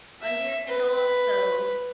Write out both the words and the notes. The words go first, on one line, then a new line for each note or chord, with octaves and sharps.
under your Kindle, so,
E5
B4